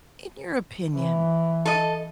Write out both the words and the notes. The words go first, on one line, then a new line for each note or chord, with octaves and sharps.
In your opinion,
E3
A4 D#5